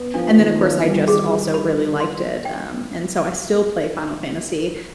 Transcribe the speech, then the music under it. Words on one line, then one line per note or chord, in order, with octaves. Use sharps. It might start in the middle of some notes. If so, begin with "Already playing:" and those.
And then of course, I just also really liked it, um, and so I still play Final Fantasy.
Already playing: B3
F3 D4
D#3
F3 B4
G3
G#4
B5
C6
G5